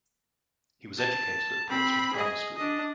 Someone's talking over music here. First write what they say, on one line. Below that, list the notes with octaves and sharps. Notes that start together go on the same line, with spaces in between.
He was educated at Portsmouth Grammar School.
A5
C4 B5
G#4 D#5
D4 D#5